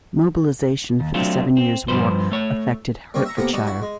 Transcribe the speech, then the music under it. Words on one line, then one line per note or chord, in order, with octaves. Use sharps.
Mobilisation for the Seven Years' War affected Hertfordshire.
D#2
F#3 A3 C4 D4 F4
C4
G2 C#3 F3 B4 C5
A3 C#5
G3 A#3 C4 C#4
E5 A#5 C#6
C3 A#3 B3 A4 F#5 A#5
G3 D#4 F#4 A5
E4 F#4
G#3